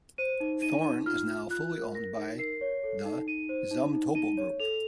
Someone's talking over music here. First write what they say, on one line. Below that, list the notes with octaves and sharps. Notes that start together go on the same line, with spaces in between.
Thorn is now fully owned by the Zumtobel Group.
C5 D#7
D#4
D#4 D#7
D#4
F4 F6
F4
F4 F#6
A#4
A#4 A#6
D#4
A#4 C7
C#5
A4
D#4
D#4 D#7
C5
D#4
D#4
D#4 D#7
C#5
A4 F7